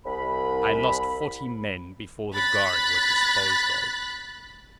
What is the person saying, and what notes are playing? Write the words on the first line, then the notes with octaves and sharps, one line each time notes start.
I lost forty men before the guard was disposed of.
C2 B5
B5 F#6 A6 B6